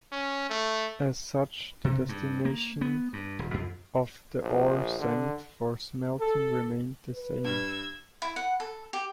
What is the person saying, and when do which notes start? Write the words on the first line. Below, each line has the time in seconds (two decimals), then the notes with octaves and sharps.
As such, the destination of the ore sent for smelting remained the same.
0.12 C#4
0.50 A3
1.84 C3
2.09 G2
2.45 A#3
2.81 B3
3.13 G2
3.39 D#1
3.54 F2
4.42 A#1
4.99 D3
6.20 A4
7.14 B4
7.44 G2 G3 E6 G#6
8.22 E4
8.36 F#5
8.60 A4
8.93 G4